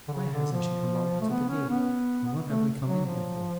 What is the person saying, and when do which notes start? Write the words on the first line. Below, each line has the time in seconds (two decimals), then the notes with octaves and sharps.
Why hasn't she come out to the gate, and what have we come in here for?
0.08 D3
0.13 C#3
0.33 D3
0.52 F3
1.21 A3
1.30 B3
1.49 C#4
1.70 B3
2.48 A3
2.86 F#3
3.06 F3